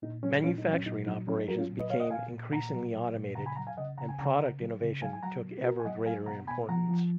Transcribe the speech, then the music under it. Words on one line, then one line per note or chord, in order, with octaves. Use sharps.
Manufacturing operations became increasingly automated and product innovation took ever greater importance.
A#2 D#4
F#3 C#4
A#2 C#4 F4
D#4
F#3
C#4
A#2 D#4
F#3 D#4
F#3 C#4
D#4
F#3 F#4 A#4
C#4 F4
A#2
B4 D#5
A#2 C#5 F5
D#5 F#5
A#2 F5 G#5
A#2
A#2 F#5 A#5
F#3
F#3
A#2
C#3 F#5 A#5
G#5 B5
F#3 F#5 A#5
F5 G#5
C#3 D#5 F#5
C#3 F#5 A#5
G#5
C#3 F#5 A#5
C#3
F#3
C#3
F#3 F5 G#5
G#5
F#3 F#5 A#5
B2
B2 F#4 A#4
G#5
F#3 D#5 F#5
F#3 F5 G#5
B2 F#5 A#5
B2 G#5 B5
F3 F#5 A#5
F3